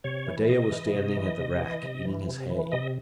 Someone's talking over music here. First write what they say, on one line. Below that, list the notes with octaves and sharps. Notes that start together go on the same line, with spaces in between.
Medeah was standing at the rack, eating his hay.
C3 C#5
E3
C3 D#5
E3
C3
E3
C3
E3
C3
E3
C3
E3
C3 D#5